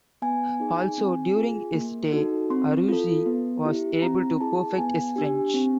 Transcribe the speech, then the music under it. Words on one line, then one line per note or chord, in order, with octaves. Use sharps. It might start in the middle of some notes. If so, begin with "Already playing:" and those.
Also, during his stay, Arsuzi was able to perfect his French.
B3 G#5
D#4 G#4
C4
F4 G#4
A#3
D#4 F#4 A4
C4 C6
F4 A4
B3
E4 G4
C4 A#5
E4 G#4 A5
B3 G#5
D4 G4
C4